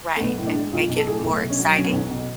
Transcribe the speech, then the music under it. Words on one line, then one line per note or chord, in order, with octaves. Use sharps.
Right, and make it more exciting.
A3
B1 B3
A2
D4
G#3
B1 F4
B1
A4
A2 G#4
B1 A3
B2
C#4
F#3
B1 C#4
B3
B1 C#4
B2